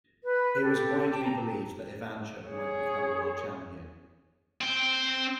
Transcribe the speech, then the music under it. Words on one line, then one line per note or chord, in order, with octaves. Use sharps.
It was widely believed that Ivanchuk might become World Champion.
B4
G4 A4
G5 A5 D6
A#5
G#4 C#5
C4 G5